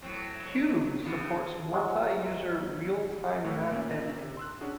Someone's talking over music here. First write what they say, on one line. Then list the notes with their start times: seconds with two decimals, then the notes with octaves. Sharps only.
Cube supports multi-user, realtime map editing.
0.02 A2 F#3 C4
1.04 C#3 E3 B3
1.72 G#2 F#3 G#3 F4 F#5
3.44 A2 B4 E6
3.70 A#2 A#3 C#4
4.18 C3
4.37 C6 E6 F#6
4.61 C#4 D4 F#4 G#4